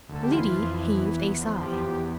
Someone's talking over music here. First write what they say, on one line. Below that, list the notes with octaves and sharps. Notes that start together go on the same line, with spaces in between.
Liddy heaved a sigh.
D2
A4
G4
E3 F4
F2
E3
E2
E2
F3
E2 G4
E2